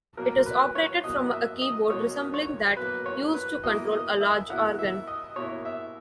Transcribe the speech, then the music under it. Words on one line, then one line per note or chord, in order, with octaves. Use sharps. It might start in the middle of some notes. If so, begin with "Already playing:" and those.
It is operated from a keyboard resembling that used to control a large organ.
B2 F#3 A#3 A#4
B4
C#5
B2 F#3 A#3 D#5
E5
D#5
B2 F#3 A#3 C#5
C#5
B2 F#3 A#3 B4
C#5
B4
B2 A#3 E4 D#5
D#5
E5
B2 A#3 E4 F#5
E5
D#5
B2 A#3 E4 C#5
E5